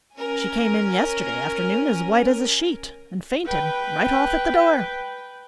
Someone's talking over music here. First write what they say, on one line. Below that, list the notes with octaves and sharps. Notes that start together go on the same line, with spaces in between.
She came in yesterday afternoon as white as a sheet, and fainted right off at the door.
C#4 A#4 G#5
B4 G5